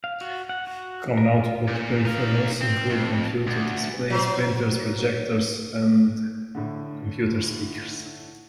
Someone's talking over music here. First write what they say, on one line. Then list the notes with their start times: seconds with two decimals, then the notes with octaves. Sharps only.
Common output peripherals include computer displays, printers, projectors, and computer speakers.
0.04 F5
0.21 F#4
0.49 F#5
0.67 F#4
1.17 A#4
1.34 F4
1.68 A#2
2.05 D#4 F5
2.61 C4
2.90 F2
3.47 D2
4.10 F#3 C5
6.55 A2 D3